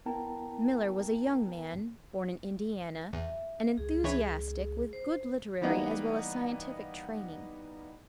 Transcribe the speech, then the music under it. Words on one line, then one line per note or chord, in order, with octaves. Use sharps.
Miller was a young man, born in Indiana, an enthusiastic with good literary as well as scientific training.
B3 E4 A#4 G5 A5 A#5
E2 E5
C#2 G#4
E3 E4 C#5
C5
E3 G3 A#3 B3 D#4